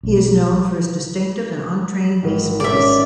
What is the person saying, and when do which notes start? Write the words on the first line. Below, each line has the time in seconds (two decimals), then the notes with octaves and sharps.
He is known for his distinctive and untrained bass voice.
0.03 B1
2.23 G#1
2.60 D5 E5
2.72 C#4